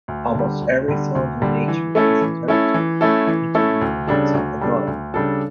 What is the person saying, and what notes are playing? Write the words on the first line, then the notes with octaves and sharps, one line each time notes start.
Almost every sound in nature is interpreted into the movements of a god.
D2
D3 G3
D2
D3 G3
D2
D3 G3
E3
A3 C#4 E4 A4
E3
A3 C#4 E4 A4
E3
A3 C#4 E4 A4
E3
A3 C#4 E4 A4
D2
C#3 G3 D4 A4
D2
C#3 G3 D4 A4
D2
C#3 G3 D4 A4